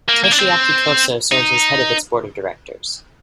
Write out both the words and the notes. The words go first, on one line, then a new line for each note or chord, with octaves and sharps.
Toshiaki Koso serves as head of its board of directors.
A#3
A#3
D4
C4
D#4